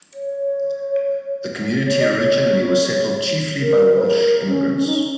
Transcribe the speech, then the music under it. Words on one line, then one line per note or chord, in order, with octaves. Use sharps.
The community originally was settled chiefly by Welsh immigrants.
C#5
C#5
D#5
C#5
A#4
C#5
A#4
C#4
C#4
D#4
C#4